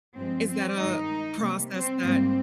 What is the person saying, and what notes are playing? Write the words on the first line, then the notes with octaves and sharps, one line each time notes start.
is that a process that
G2 F3 G#3 C4
C4
G2 D#3 G#3 D#4
C3 G3 A#3
C4
G#2 G3 A#3 C4